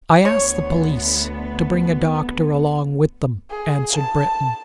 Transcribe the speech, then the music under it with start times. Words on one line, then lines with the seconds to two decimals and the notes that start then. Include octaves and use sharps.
"I asked the police to bring a doctor along with them," answered Breton.
0.25 D2 B3 C#5
3.50 G#4
3.93 A5